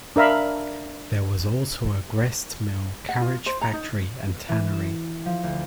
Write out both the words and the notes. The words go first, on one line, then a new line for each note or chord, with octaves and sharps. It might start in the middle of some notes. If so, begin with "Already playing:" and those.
There was also a gristmill, carriage factory and tannery.
D4 A#4 E5 F5 B5
F#5
F4
C5
A#5
D#4
E3
E7
F3
D2